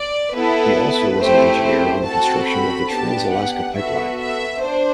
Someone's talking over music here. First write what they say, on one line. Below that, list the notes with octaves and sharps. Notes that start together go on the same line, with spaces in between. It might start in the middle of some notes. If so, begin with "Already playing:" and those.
He also was an engineer on the construction of the Trans-Alaska Pipeline.
Already playing: D5
B3 E4 A4 B4
A3 C4 E4 G4 C5
C5
C4 F#4 A4 A5
B5
B3 D4 G4 A5
F#5
B3 F#4 A4 E5
E5
D4 C5